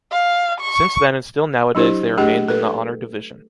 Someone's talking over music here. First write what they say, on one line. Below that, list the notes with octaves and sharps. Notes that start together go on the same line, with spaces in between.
Since then and still nowadays they remained in the Honor Division.
F5
C#6
F#3 D4 E4 G4 C5
A3 D4 G4 G#4 D#5
A4 B4